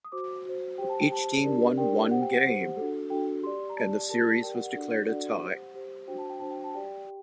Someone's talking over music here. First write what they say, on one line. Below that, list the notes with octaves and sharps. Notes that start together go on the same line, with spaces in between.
Each team won one game and the series was declared a tie.
D#6
F#4 C5 D6
F#4 C5
G4 C5 G5
A5
G5
G4 C5 A5
D4 G4 A#4 D5
D4 G4 A#4 D5 G5
G4 C5 F#5
G5
F#5
G4 C5
D4 F#4 A4
D4 F#4 A4 G5
G4 D5 C6
A#5
G4 D5 A5
G4 A#4 D5 A5
A5
G4 A#4 D5 G5
F#5
F#5
D4 F#4 A4 D5
D4 F#4 A4 D5 F#5
G4 C5
G4 C5
D4 F#4 C5 G5
A5
G5
D4 F#4 C5 A5
G5
A5
G4 D5 G5
G4